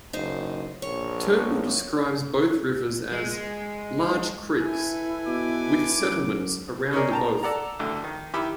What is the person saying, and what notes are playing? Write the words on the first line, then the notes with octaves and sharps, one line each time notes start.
Turnbull describes both rivers as, "large creeks" with settlements around the both.
F#1 D#4 C5
A#1 C#5
G#3
E4 A4 B4 G#5
B2 D6
F#2
C#4 D#4 G#4 A#4 D5
G5 A5 A#5
A4 D5 F#5 A#5
A1 D2 D3
D#3
D#3 E4 G4 B5